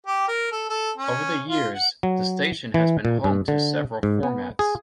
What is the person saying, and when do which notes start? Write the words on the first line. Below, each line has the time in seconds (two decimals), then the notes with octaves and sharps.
Over the years, the station has been home to several formats.
0.07 G4
0.28 A#4
0.52 A4
0.69 A4
0.98 C#4
1.49 F4
1.74 F#5
2.03 F#3
2.74 E3
3.05 A#2
3.24 G2
3.48 D3
4.03 G#2
4.23 B3
4.59 G#4